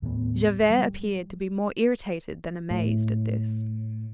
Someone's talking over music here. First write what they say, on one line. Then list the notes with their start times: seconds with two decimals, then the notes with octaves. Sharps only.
Javert appeared to be more irritated than amazed at this.
0.02 D#2 A2 G#3 B3
0.70 G3
2.70 A2